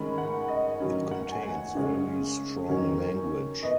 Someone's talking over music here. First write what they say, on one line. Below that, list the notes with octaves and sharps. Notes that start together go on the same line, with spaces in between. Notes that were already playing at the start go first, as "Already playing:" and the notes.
It contains very strong language.
Already playing: D#3 G#3 C#4 B5
F#5
D#5
D#3 F#3 C#4
F#5
G#5
F#5
C#3 G#3 C#4
D#3 F#3 C#4
B3 D#5